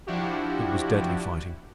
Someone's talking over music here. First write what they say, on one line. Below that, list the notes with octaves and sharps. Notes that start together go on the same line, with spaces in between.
It was deadly fighting.
F3 D4 E4 F#4 G4